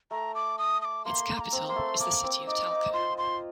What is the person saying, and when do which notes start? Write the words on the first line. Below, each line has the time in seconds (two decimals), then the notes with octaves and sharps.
Its capital is the city of Talca.
0.11 A3 A#5
0.35 D6
0.59 D#6
0.82 D#6
0.85 D6
1.05 A#3 C6
1.29 A#3
1.37 C6
1.40 A#5
1.52 C4
1.69 A#3 C6
1.76 A3
2.00 A#3 D6
2.23 C4
2.47 D#4 D6
2.70 D#4
2.93 F4 C6
3.18 C6